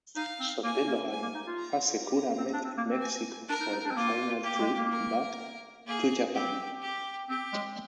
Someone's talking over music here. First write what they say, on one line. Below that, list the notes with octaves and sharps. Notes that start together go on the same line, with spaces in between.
Sotelo and Hasekura met in Mexico for the final trip back to Japan.
D#4 F5
C4
A#3 G#5
A#3
G#5
A#3
D#4
F4
A#5
G4
C4
D4
C4
A#3
C4
G#5
D4 A#4
D#4
D#4
D4
C4
A#3 F4
A#3 G4
A#3
G#3
A#3
A#4
A#3 G#4
C4 G4
G4
C4 G4
G#3